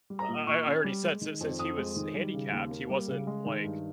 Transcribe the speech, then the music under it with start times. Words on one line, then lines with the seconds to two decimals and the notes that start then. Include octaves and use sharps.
I I I already said since since he was handicapped, he wasn't, like,
0.10 G3
0.19 A#5
0.29 A#2
0.47 A#2 C#6
0.66 C#4
0.84 G3
1.03 G#3
1.21 D#3
1.41 F2
1.59 F2 D#6
1.78 G#3
1.96 D#3
2.15 G3
2.33 C#3
2.52 D#2
2.70 A#3
2.90 G3
3.08 C#3
3.27 G#3
3.46 D#3
3.64 G2